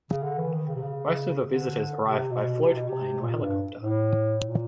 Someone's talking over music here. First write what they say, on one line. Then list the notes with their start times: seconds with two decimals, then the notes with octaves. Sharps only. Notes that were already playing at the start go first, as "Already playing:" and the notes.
Most of the visitors arrive by float plane or helicopter.
0.11 C#3
0.23 D3
0.38 E3
0.53 D#3
0.67 C#3
0.75 C3
0.82 C#3
1.42 D3
2.02 C3
2.31 B2
2.62 C3
2.75 B2
2.88 C3
3.22 A#2
3.41 G2
3.81 A2
4.41 A#2